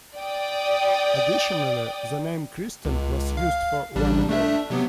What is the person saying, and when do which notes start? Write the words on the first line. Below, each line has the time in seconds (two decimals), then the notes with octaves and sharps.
Additionally, the name Kristen was used for one year.
0.17 D5 G5 D#6
2.85 C#2
3.37 F5
3.95 A1 G3 D4
4.29 A3 D4 E5
4.70 C3 F#3 B3